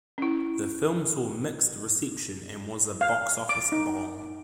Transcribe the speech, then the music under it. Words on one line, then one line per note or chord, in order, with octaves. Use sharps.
The film saw mixed reception and was a box office bomb.
C#4 E4
F5
D6
D#4